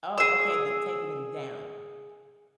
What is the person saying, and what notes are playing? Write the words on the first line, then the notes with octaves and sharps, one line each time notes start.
Oh, okay, but taking him down.
G#4 E6